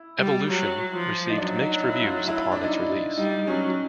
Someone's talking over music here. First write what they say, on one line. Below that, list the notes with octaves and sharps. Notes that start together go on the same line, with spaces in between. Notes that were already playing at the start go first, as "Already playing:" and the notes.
"Evolution" received mixed reviews upon its release.
Already playing: E4
G3
F#3
F3
D#4
F#3 D4
D#4
E4
F4
E4
D4
D#4
E4
G3 D#4
F#3 C#4